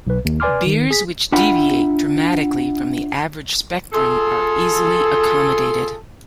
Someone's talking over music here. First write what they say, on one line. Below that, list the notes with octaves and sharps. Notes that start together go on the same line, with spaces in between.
Beers which deviate dramatically from the "average" spectrum are easily accommodated.
B1 B4
D#2
B4 D5 G#5 C6 D6 F6
D#3
G#4 B6
D4 F4 E5 F#5 G5 B5
F4 G#4 A4